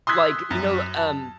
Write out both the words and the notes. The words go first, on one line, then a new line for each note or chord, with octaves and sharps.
like, you know, um,
C6 D#6 E6 F#6 G#6 B6
F#2
A5